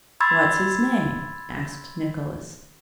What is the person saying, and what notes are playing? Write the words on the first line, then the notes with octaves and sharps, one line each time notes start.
"What's his name?" asked Nicolas.
B5 C6 E6 G#6 A6